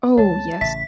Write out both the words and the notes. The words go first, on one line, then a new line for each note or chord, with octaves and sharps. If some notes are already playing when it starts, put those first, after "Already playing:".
Oh, yes.
D2 G#3 C#5 A5
A1 C#3 E5 B6